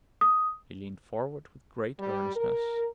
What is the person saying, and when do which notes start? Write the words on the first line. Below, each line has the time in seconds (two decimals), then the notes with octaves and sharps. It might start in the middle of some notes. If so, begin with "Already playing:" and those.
He leaned forward with great earnestness.
0.21 D#6
1.98 G3
2.36 A#4